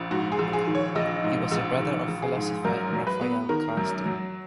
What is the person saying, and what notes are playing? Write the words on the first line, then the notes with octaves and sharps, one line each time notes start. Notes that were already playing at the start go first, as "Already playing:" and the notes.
He was the brother of philosopher Rafael Karsten.
Already playing: A#1
G#2 F#4
G#4
A#1
G#4
D#3
C#5
A#1 D#5
G#2
A#1
D#3
A#1
G#4
G#2
F#2 A#4
F#3
B4
B3
D#3 A#4
F#2
F#3